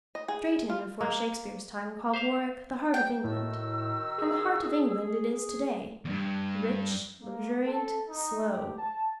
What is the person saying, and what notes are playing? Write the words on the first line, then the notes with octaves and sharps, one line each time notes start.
Drayton before Shakespeare's time called Warwick "the heart of England," and the heart of England it is today--rich, luxuriant, slow.
D#5
G#4
F4
A#3
C5 E5 F5
G5
A2 D#3 F#4 E6
G#4
E2 G2
A#3
A4
D#4
G4
A5